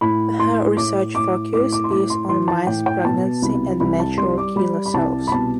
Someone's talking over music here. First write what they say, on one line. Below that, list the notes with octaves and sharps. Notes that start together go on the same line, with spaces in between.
Her research focus is on mice pregnancy and natural killer cells.
A2 B5
A2 C6
A2 D6
A2 D6
A2 D6
D6
C6
A2 D6
C6
E3 C6
A5
A2 G5
G5
B2 A5
C2 B5
C2 B5
A5
G3 C6
D6
G3 B5
B5
C2 A5
B5
B2 A5